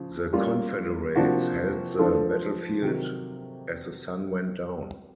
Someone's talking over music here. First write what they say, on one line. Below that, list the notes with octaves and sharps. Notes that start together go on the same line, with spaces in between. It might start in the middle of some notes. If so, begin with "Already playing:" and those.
The Confederates held the battlefield as the sun went down.
Already playing: C#3 F3
G3 A#3 C#4 F4
C3 F3 A#3 D4 F#4
F3 A3 D4 F4 A4
C3 D#3 F#3